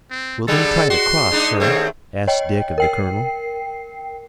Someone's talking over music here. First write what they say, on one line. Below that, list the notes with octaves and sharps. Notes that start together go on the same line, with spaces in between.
"Will they try to cross, sir?" asked Dick of the colonel.
C4
D3 G3 G#3 A4
F#4 C6
G#3 D4 D#4
D#2 A3 C4 C#5
C#5 D#5 G5
A#4 G5 C7